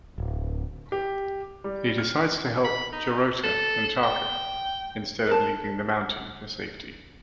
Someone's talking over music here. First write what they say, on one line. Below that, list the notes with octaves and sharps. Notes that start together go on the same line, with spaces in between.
He decides to help Jurota and Taka instead of leaving the mountain for safety.
D1
G4
G3
F6
B5
D#4
A4
G5
A#4 A5